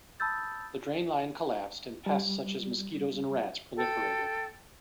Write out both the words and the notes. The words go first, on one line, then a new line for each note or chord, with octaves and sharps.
The drain line collapsed and pests such as mosquitos and rats proliferated.
A5 B5 D#6 E6 G6 A6
G3
A4 G5